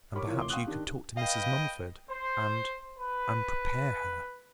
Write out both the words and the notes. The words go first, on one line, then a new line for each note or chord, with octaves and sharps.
And perhaps you could talk to Mrs. Mumford, and--and prepare her.
G4 A#4 C#5 B5 C#6 D6
E3 E4 F4 A#4 C#5
F1 C6 D6 G7
F5 G5 C6 C#6 D#6 F#6
D#3 D4 G4
B4 D#5 F5 G5
C5
B4